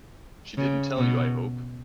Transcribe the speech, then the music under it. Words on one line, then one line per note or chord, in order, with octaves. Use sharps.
She didn't tell you, I hope?
C#3
B2